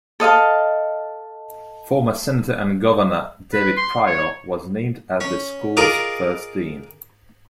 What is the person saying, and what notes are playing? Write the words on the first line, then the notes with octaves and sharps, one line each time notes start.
Former Senator and Governor David Pryor was named as the school's first dean.
A4 D#5 F5 A5
B4
C6
C#5
C#4
F4 G#4 A#4 D5 D#5